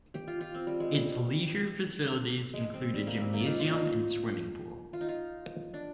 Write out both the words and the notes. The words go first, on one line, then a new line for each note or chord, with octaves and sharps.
Its leisure facilities include a gymnasium and swimming pool.
G4
F4
F4
C4
G3
G#3
G3
G#3
C4
G3
A#3
C4
A#3
F4
D#4
F4
D4
D#4
F4
D#4
F4
D4